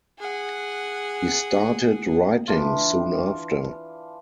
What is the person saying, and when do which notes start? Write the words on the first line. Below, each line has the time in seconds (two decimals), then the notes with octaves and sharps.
He started writing soon after.
0.19 G#4 F#5
2.48 E3 D4 F4